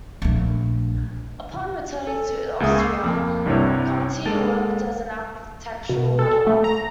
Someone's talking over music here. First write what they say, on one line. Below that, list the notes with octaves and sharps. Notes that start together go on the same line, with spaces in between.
Upon returning to Austria, Konti worked as an architectural modeler.
A#1 A3
A4
C#2 A#3 G#4 E5 G#5 D#6
C#6 D6 E6 C7
F2 A#3
C2 G2 C3 E4 G4 C#5
G#3 A#3 A4 A5 A6 D7
B2
A4
A3
A#5